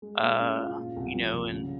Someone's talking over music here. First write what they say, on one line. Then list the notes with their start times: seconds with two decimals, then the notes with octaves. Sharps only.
uh, you know and
0.02 G#3
0.21 A#2
0.39 C#4
0.59 F4
0.77 A#2
0.96 C2
1.15 F3
1.33 C2
1.52 C#3